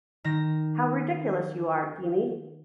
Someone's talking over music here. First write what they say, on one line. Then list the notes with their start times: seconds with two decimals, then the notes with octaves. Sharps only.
How ridiculous you are, Dimi!
0.24 D#3 A#6